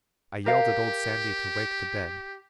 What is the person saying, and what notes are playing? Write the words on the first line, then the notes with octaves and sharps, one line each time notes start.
I yelled at Old Sandy to wake the dead.
G4 A#4 F5